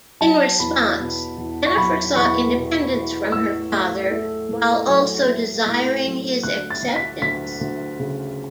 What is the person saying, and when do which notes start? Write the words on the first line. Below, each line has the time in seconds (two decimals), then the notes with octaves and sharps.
In response, Jennifer sought independence from her father, while also desiring his acceptance.
0.21 F#3 A5
0.60 E2 B5
1.00 B2
1.38 E2
1.66 C#6
1.77 F#3 B5
2.16 E2 C#6
2.54 B2
2.94 E2
3.32 A2 E6
3.72 A3
4.11 A3
4.49 A2
4.88 F#3
5.27 A3
5.66 A2
6.06 F#3
6.43 D2 F#6
6.70 A6
6.82 D2
6.96 B6
7.22 D2 B6
7.61 D2
7.99 C#3